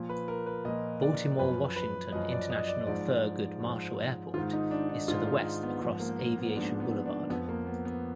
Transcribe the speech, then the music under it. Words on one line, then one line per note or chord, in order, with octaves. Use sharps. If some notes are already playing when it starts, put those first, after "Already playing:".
Baltimore-Washington International Thurgood Marshall Airport is to the west across Aviation Boulevard.
Already playing: A#2 F3
B4
A#4
B4
A#2 F3 D#5
D5
F#2 F3 B4
B4
F#2 F3 D#5
D5
D#5
D5
G#2 F3 D5
G#2 F3
G#2 D#3 F4
D#4
D4
D#4
G#2 D#3 F4
D#4
B3
G#2 F3 B3
A#3
A#3
B3
G#2 F3 D4
B3
D4
F2 F3 B3
A#3
B3
B3